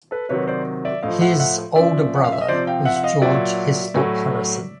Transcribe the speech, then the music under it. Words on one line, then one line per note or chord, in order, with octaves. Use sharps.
His older brother was George Heslop-Harrison.
A4 B4
C3 D#3 F#3 B4 C#5
C5 D5
D5 E5
A2 F3 D#5 F5
E5 F#5
E5 F#5
C#3 F3 D5 E5
F#5
F5
E5
D#5
C3 F3 C5 D5
F5 G5
E5 F#5
F#5
D#5 F5
A#2 F#3 D5 E5
A2 F#3